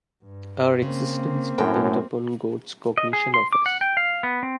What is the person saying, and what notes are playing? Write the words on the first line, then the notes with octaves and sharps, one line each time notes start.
Our existence depends upon God's cognition of us.
G2
C#3 A#3 C4
F#2 A2 G5
D#5
G#4
C6
D6
F#5
G5
F5
B3
C4